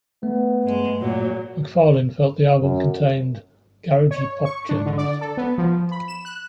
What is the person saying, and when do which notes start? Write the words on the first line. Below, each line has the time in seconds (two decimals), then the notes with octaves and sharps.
McFarlane felt the album contained "garagey pop gems".
0.23 A3 B3
0.63 G2 G#3
1.00 A#2 F#3
2.61 F#2
4.11 C#5
4.45 C#6
4.69 D4
4.86 D3
4.98 D5
5.21 A4
5.37 B3
5.58 F3
5.92 B5
6.08 E7
6.25 F#6